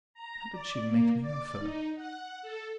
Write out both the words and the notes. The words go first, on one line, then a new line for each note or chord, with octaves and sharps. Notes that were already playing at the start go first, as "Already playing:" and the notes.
How did she make me offer?
A#5
D5
A#3
D5
D#4
F#5
A4